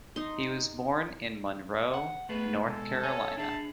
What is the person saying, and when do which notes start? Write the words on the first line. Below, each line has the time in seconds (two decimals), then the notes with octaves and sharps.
He was born in Monroe, North Carolina.
0.16 D#4 C6
1.94 F#5
2.29 A3 B3 G#4 B4
2.65 B2 G#3 A4
3.03 C#5 G#5
3.37 D4 G#4 E5 A5